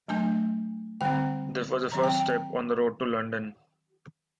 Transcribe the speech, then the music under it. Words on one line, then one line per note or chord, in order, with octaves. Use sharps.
This was the first step on the road to London.
F#3 A3 D4 A5
D3 G3 C4 G5
D#3 F#3 C4 A#5
G5
G5